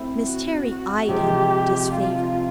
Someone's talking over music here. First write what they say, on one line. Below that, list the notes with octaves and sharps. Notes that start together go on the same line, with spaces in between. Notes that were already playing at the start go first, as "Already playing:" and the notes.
Miss Terry eyed him with disfavor.
Already playing: A3 C4 E4
F#4
C3 F3 G#3 G4
F4